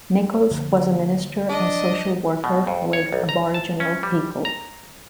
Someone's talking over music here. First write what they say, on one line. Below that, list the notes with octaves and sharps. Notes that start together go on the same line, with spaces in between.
Nicholls was a minister and social worker with Aboriginal people.
D3 F3 A#3
D4 D#5
B2
F2
C#5
B1
A#5
A5
C#4
G3
A#5